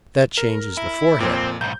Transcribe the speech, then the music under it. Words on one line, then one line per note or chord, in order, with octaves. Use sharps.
That changes the forehead.
A#4
E4
F2 A#2 C4
B1 G#2 G6